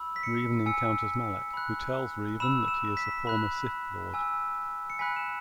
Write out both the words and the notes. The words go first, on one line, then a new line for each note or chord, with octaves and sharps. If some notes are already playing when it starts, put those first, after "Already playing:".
Revan encounters Malak, who tells Revan that he is the former Sith lord.
Already playing: B5 E6
B6
C#7
G#5 E6 C#7
B5 F#6
B5 E6 E7
E7
B6
B5 F#6
G#5 E6
C#7
G#5 B5 F#6 B6
E7